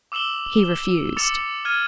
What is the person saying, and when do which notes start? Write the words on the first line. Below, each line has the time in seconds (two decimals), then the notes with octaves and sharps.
He refused.
0.12 D6 E6 E7 F#7 G7
1.17 D6 E6 A6 C#7 E7 F7
1.65 F6 G#6 D#7